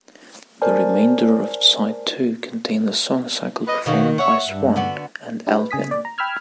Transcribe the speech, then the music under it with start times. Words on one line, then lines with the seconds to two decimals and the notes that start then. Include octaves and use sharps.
The remainder of side two contained the song cycle performed by Swann and Elvin.
0.62 A#4 C5 D5 G#5 A5
3.67 B4 D#5
3.86 B2 D#3 A#3 F#4
4.18 C#5 E5 F#5
4.48 G2
4.76 D3 B3 F#4
5.47 D4 E4 G4
5.59 B4
5.71 C#3 G#5 D#6 B6
5.91 D5
6.05 A#5
6.18 G5 B5 E6 F6 G#6